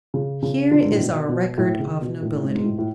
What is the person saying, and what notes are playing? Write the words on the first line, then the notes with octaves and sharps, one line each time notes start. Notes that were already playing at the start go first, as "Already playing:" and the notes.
Here is our record of nobility.
C#3
C#3
D3
G#2
A2
B2
B2
A2
C#3
B2
A2
G#2
G#2
A2
A2